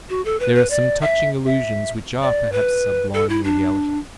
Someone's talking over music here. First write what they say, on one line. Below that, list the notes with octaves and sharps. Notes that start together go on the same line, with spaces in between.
There are some touching illusions which are, perhaps, sublime realities.
F#4
A4
B4
B4
D5
E5
E5
D5
B4
A4
E4
D4